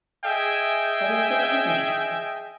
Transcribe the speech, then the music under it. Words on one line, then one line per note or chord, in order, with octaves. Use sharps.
Have you ever thought about emigrating before?
G#4 D#5 E5 G5 G#5